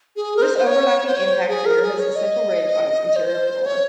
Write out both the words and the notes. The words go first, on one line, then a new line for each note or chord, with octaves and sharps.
This overlapping impact crater has a central ridge on its interior floor.
G#4
A#4
C5
C5
C#5
C5
C#5
C5
G#4
A#4
G#4
C#5
D#5
C5
C#5